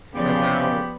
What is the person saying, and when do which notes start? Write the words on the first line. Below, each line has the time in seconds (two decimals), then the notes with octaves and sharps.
has now
0.15 E2 C#3 F3 B3 G4 D5 C6